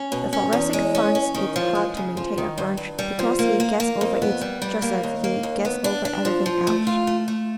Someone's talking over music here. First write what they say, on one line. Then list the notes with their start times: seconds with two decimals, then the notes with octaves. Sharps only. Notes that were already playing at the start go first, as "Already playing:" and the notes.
The Thoracic finds it hard to maintain a grudge because he gets over it just as he gets over everything else.
Already playing: C#4
0.12 B2
0.33 C#4
0.53 E2
0.73 G#3
0.95 C#4
1.15 C#4
1.34 D#3
1.56 F3
1.75 G#3
1.97 C#3
2.17 F3
2.38 D#3
2.58 G2
2.77 G2
2.99 G3
3.19 F3
3.39 A#3
3.60 A#3
3.80 A#3
4.01 F2
4.22 B3
4.41 G3
4.62 G3
4.82 A#3
5.03 D#2
5.24 A#3
5.43 D#2
5.65 B3
5.84 D4
6.05 D4
6.25 F3
6.46 F3
6.67 A3
6.87 F4
7.07 A3
7.28 A3